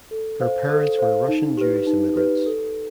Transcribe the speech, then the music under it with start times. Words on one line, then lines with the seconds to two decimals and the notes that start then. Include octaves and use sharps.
Her parents were Russian Jewish immigrants.
0.11 A4
0.40 C5 F5
0.69 A4
0.99 C5 F5
1.28 D#4
1.57 G4 B4
1.87 D#4
2.16 G4 B4
2.46 A4